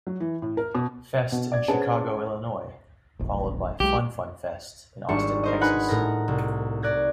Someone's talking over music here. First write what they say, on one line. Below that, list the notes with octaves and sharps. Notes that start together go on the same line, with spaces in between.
Fest in Chicago, Illinois, followed by Fun Fun Fest in Austin, Texas.
F#3
E3
A2
A#4
B2
B2
D5 G#6
C#4 G#4 B4 C5 F#5 A5
E1 A#1
B1 G#3 G4
G#1 G3 D4 C#6
A#4 C5 D#5
D#4 B4 F#5 G#5 B5 F#6
A2 A#4 A#6
C2
D5 F#6 G#6 A#6